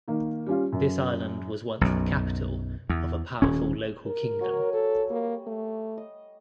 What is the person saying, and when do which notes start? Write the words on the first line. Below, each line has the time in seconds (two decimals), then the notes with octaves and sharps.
This island was once the capital of a powerful local kingdom.
0.08 D#3 A#3
0.46 G3 C#4 F4
0.72 F#2
1.81 B1 F#2
2.89 E2
3.42 D#1 C#4
4.06 A#4
4.40 F#3 F#4 G#5
4.73 A4
5.10 G3 A#3
5.47 A3
5.98 D#5